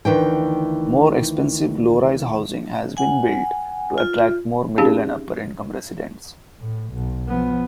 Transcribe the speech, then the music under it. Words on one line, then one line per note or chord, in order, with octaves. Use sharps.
More expensive low-rise housing has been built to attract more middle- and upper-income residents.
D2 D#3 E3 G5
F#5 G#5
F4
C4 C#4 D#4 G4 G#4 F5
A2
B1
F3 B3